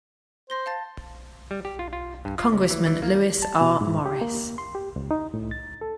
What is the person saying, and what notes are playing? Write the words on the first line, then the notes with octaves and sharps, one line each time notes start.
Congressman Lewis R. Morris.
C5 C6 A#6 G7
F5 A5 A6
G3
G4
F4
F4
G2
F4
C#2
E3
E3
A#3
A5
B2
G#2
G4
A#3
C6
G4
C#2
D#4
A2
A6
A4